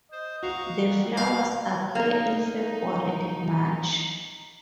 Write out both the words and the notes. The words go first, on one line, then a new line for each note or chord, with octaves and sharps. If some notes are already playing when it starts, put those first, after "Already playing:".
The flowers appear in February and March.
C5 D#5
F#4 F5 A#5 C#6
F5
A#3 D#4